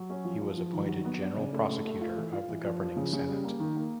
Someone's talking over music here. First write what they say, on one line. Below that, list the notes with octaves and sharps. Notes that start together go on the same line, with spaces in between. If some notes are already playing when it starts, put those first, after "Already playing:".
He was appointed General-Prosecutor of the Governing Senate.
Already playing: F#3
C#4
F3
F3
F3
D#3
F#3
B3
D4
C#3
A3
A3
A3
F4
E3
F4
E3
F3
F3
C#3
C#3
G3
A#3
D#3
A#3